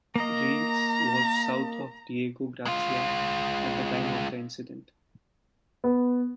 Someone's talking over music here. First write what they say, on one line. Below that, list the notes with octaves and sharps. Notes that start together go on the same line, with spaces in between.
"Reeves" was south of Diego Garcia at the time of the incident.
A#3 D#5 A#5
G#3 F4
B3